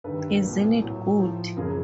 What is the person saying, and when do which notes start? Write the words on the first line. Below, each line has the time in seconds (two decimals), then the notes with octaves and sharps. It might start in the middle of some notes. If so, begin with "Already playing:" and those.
Isn't it good!
0.04 G2 D#3 G3 A4 B4
0.43 C2 A#2 G3
0.80 A2 F#3
1.19 A2 F3
1.57 F#2 C#3 F3 G#4 A#4